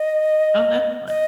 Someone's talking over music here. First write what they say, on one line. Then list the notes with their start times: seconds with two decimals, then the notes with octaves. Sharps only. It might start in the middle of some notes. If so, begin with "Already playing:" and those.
Oh, that's fine.
Already playing: D#5
1.08 D#5